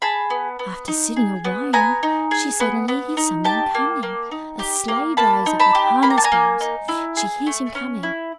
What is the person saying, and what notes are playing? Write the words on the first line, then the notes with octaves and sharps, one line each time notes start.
After sitting a while, she suddenly hears someone coming... a sleigh drives up with harness bells; she hears him coming!
G#4 A5 B5
B3
B3
D#4
G#4
B3
B3 G#5 A#5
D#4
G#4
B3
B3
D#4
G4 G5 A5
A#3
A#3
D#4
G4
A#3
A#3 A5 B5
D#4
A5 B5
G4
A#3 B5
A#5
A5
G#5 A#5
A#3
D#4
E4
G#4
A3
C#4
E4